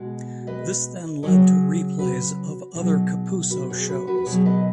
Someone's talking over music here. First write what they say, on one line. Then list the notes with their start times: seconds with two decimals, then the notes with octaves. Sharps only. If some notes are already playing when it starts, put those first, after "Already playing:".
This then led to replays of other Kapuso shows.
Already playing: B2 G#3 F#4
0.47 B4 D#5
1.23 C#3 F#3 G#4 C#5
1.99 F#4 B4
2.75 B2 F#3 D#4 G#4
3.50 F#4 B4
3.70 G#4 C#5
3.89 F#4 B4
4.07 F#4 B4
4.18 B4
4.26 B2 F#3 G#4 C#5
4.46 B4 D#5